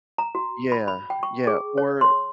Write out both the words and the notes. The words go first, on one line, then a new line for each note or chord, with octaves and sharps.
Yeah, yeah, or
A#5
F#4
B5
B5
G5
C#6
G#4
C#5
C6